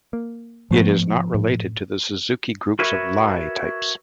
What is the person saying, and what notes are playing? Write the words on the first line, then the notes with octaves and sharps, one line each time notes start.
It is not related to the Suzuki groups of Lie type.
A#3
G#2 F3 A3 B3
A2
F#4 A#4 B4 C#5 E5